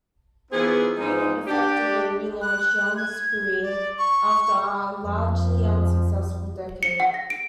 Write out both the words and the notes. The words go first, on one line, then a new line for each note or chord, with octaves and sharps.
"Freedom" effectively relaunched Young's career after a largely unsuccessful decade.
E3 B3 C4 D#4 F4 G#4
G#2 E3 F3 G#3 D#4
D4 G4
F#6
G#6
D5
C#6
F2 F3
C#7
F#5
A#6
D7